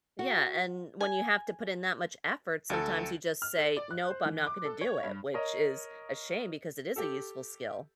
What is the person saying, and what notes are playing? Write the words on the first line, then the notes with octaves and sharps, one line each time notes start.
Yeah, and when you have to put in that much effort, sometimes you just say, "Nope. I'm not gonna do it," which is a shame because it is a useful skill.
F#4
G#5
D2 A4
F6
A4
D5
F#6
C5
E3
D6
A4
C#5
G2
A#4 C#5 D#5
G4 A4